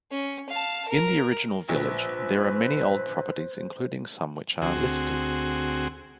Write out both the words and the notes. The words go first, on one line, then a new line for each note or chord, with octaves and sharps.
In the original village there are many old properties including some which are 'listed'.
C#4
F5 A5
A#4
A#1 B4 C5
D2 C4 F#4 G#4